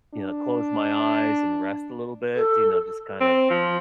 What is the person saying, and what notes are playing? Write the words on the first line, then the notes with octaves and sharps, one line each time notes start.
you know, close my eyes and rest a little bit, you know, just kind of
D4
A4
C4
F3